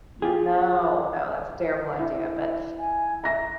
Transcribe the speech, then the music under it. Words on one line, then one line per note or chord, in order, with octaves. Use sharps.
No, no, that's a terrible idea, but
F4 G4 G#4
E4
G#5
E5 A#5 A#6